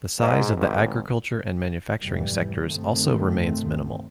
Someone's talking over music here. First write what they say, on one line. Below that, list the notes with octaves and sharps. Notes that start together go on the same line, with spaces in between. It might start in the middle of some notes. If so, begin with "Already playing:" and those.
The size of the agriculture and manufacturing sectors also remains minimal.
G#2
G#1
F1 G#2 E3 G3
G2 C3 D#3 A3 C4